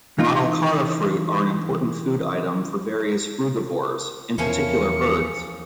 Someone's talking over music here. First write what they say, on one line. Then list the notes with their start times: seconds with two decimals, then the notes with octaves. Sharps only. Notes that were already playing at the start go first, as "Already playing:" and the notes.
"Manilkara" fruit are an important food item for various frugivores, in particular birds.
0.18 E3 D#4 F4 A#4
4.38 E2 F3 C#4 E4 A#4 C#7